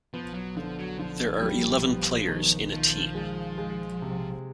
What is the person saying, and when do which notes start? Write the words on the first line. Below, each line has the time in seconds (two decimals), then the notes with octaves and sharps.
There are eleven players in a team.
0.14 F3 B3
0.34 F#3
0.57 D3 F3
0.79 F#3
0.99 D3 F3
1.42 G3
1.85 B3
2.28 D#3
2.72 D#3 F3
3.15 G#3
3.58 G#3
4.02 C3